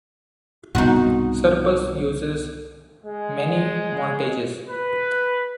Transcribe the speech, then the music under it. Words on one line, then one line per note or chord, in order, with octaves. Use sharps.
Surplus uses many montages.
C2 G#2 B2 D#4 F#4
G#3
B4